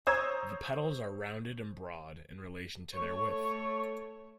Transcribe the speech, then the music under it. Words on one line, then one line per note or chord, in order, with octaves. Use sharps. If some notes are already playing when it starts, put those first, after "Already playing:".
The petals are rounded and broad in relation to their width.
C5 C#5 A#5 D#6 E6 G#6
A3 C#5 C#6